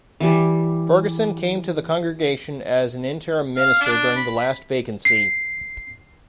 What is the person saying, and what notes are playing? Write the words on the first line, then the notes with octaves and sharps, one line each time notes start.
Ferguson came to the congregation as an Interim Minister during the last Vacancy.
E3 G3
F5
D4
B5
C7